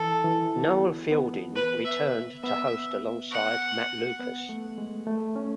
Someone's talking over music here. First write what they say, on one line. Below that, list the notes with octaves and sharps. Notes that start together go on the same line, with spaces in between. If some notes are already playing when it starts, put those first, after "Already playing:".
Noel Fielding returned to host alongside Matt Lucas.
Already playing: E3 A4
E3
B3
B3
B4
E5
B3 E5
F#5
B3
A3
G#3
A3
C#4